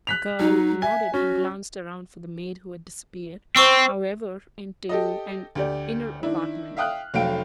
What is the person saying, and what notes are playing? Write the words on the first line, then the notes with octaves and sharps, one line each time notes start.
The girl nodded and glanced around for the maid, who had disappeared, however, into an inner apartment.
F#6 B6 F7
F#3 D#4
E5 G#5
C#4 F#4
C4 C5 C#6 E6
G4 A4 D#5
D2 G4 D5
D#3 D4 E4
E5 F5 G5 D#6 F6 F#6
F1 F#3 A3 F5 G5 D7